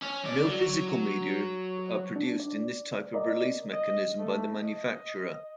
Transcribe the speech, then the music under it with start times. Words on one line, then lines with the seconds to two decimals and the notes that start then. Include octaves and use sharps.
No physical media are produced in this type of release mechanism by the manufacturer.
0.02 C#4
0.24 F2 D5
0.46 F#3
2.16 D4
2.40 D5
3.14 A#4 D5 D#5
3.72 D#5
4.19 A3
4.62 D#5